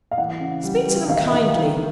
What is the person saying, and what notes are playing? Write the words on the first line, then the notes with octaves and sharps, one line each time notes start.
Speak to them kindly.
F5
E3 F#5
C#3
G3
G3
D#3 F5
E5
D#5
D#3 E5
D#3
D#3